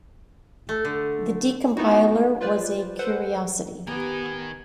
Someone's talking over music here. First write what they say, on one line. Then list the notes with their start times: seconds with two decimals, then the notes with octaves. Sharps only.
The decompiler was a curiosity.
0.69 A3
0.85 D3
1.77 A3 B3 D#4 E4 F#4
2.41 F4 B4 C5 D5
2.99 A4 B4 C5 F#5
3.87 D#3 B3 G4 A#4 G#5